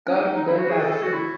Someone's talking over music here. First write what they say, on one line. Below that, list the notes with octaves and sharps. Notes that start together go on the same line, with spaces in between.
God we're going to have fun.
C#4
D#4
D#4
E4
F#4
G#4
A4
A4
F#4
E4